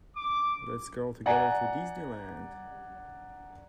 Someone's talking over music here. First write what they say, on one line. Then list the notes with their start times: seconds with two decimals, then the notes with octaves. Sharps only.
Let's go altogether to Disney Land.
0.14 D6
1.26 D5 F#5 G#5 A#5